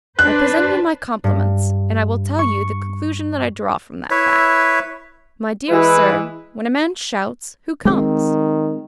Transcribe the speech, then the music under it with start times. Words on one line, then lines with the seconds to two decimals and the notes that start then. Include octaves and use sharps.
I present you my compliments, and I will tell you the conclusion that I draw from that fact: My dear sir, when a man shouts, who comes?
0.19 D4 B4 C5 F#6
1.24 G2
2.39 C#6
4.11 E4 B4 C#5 E5
5.70 E3 G#3 E4 B4
7.85 D#3 G#3 A#3 C4